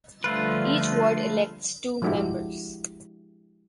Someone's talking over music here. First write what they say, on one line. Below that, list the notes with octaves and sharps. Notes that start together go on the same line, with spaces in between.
Each ward elects two members.
D3 F3 G3 A3 F4 B4
F3 G#3 D4 E4 F#4 G4